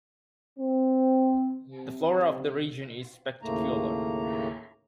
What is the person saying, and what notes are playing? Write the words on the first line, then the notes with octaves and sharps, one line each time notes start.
The flora of the region is spectacular.
C4
C3
D#2 A2 C#3 A3 A#3 A#5